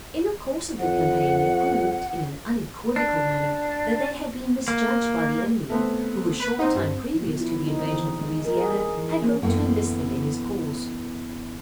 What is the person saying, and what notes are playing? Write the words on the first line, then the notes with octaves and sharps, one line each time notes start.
In the course of the campaign they proved, in an unequivocal manner, that they had been misjudged by the enemy, who a short time previous to the invasion of Louisiana, had hoped to enlist them in his cause.
F2 F#5
D4
A#3
A3 B3 C4
B4
C4 D#4 C5 F#5
G2
F3
B2
E4
D#4
C4
E3
G#3
A#4
G#4
G#4
E3
A#3
F#2 B2 E3 A3 A#3 G5